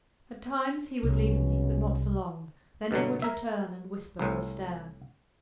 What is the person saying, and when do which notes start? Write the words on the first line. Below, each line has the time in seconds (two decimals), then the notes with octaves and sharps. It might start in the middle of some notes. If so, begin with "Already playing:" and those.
At times he would leave me, but not for long; then he would return and whisper or stare.
1.03 C2 B2 G#3 C#4
2.91 G2 B2 D3 F#3
3.22 A#4 E5
4.19 C2 A2